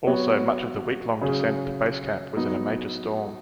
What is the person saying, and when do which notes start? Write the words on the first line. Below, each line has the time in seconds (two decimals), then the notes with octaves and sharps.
Also, much of the week-long descent to base camp was in a major storm.
0.07 F#3 B3 F#4 C#5
1.22 C#3 F#3 C#4 G#4
2.36 F#3 B3 D#4